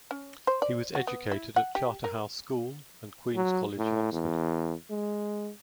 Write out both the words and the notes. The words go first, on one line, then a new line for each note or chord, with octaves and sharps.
He was educated at Charterhouse School and Queen's College, Oxford.
C#4
C5
D5
F#4
B3
E4
F#5
G4
A#4
F#3
A2
E2
G#3